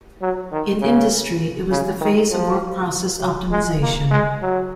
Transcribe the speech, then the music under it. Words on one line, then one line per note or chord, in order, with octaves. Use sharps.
In industry, it was the phase of work process optimization.
F#3
D#3
C#3
C#3
D#3
F3
F#3
G#3
A#3
G#3
F#3